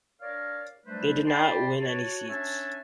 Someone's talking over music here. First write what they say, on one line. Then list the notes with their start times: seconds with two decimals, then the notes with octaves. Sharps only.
They did not win any seats.
0.21 D4 A#4 C#5 D5 F5
0.85 F#3 G3 A3 D4 B4 C5
1.27 D5 G5 A5 B5 C6
1.80 F#4 C#5 A5
2.28 C#4 D4 C#5 E5 G#5 A5